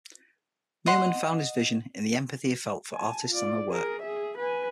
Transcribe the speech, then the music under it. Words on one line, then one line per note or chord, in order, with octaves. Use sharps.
Newman found his vision in the empathy he felt for artists and their work.
D#5 F#5 C6
G#5 A5
F4 D5
G#4 A#4
G#4 E5
B4 G#5